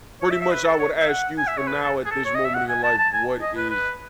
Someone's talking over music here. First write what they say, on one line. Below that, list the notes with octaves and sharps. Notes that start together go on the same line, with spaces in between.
pretty much I would ask you for now at this moment in your life, what is
C#5
E5
E5
B4
A4
C#5
E5
F#5
G#5
E5
C#5
B4
A4
G#4
A4
C#5
D#5
E5
F#5
G#5
A5
A5
G#5
D#5
B4
B4